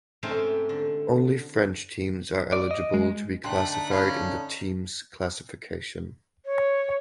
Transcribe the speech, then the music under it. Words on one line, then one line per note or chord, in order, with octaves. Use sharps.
Only French teams are eligible to be classified in the teams classification.
G#2 C3 A3 C#4 G4 C5
D3
D5
D#5
G#3
D3 A3 D4 D#4 G5 C6 F#6
C#4 F5 B5
C#5